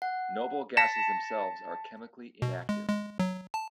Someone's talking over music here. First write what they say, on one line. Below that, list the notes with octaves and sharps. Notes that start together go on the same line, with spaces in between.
Noble gases themselves are chemically inactive.
F#5
A5 A#6 B6 C#7 E7
B2
G#3
G#3
F#3
A5